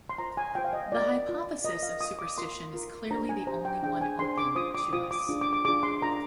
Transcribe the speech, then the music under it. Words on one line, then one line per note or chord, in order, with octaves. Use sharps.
The hypothesis of superstition is clearly the only one open to us.
C6
F4 C5 A#5
G#5
F4 C5 G5
F5
D#5
F4 A#4 D5
F4 A#4
F4 A#4 D#5
F5
F4 A#4 D#6
D6
F4 A#4 C6
F4 A#4
D4 G4 C5 A#5
G#5
D4 G4 C5 A#5
G5
D4 G#4 C5 G5
G#5
D4 G#4 C5 C6
D6
F4 C5 D#6
D6
F4 C5 D#6
D6
D4 F4 G#4
D6
D6
D4 F4 G#4 D6
C6
D4 F4 A#4 A#5